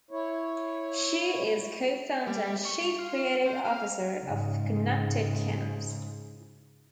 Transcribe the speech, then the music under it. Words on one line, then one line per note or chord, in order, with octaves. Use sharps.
She is co-founder and Chief Creative Officer of Connected Camps.
E4 C#5
G3
C#6
F4
C4
F5
G#2 C#3